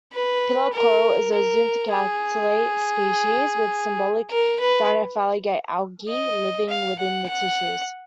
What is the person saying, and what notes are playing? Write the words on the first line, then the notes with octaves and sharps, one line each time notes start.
Pillar coral is a zooxanthellate species, with symbiotic dinoflagellate algae living within the tissues.
B4
A#4
A#4
G#4
A#4
B4
D#5
F5
F#5
F#5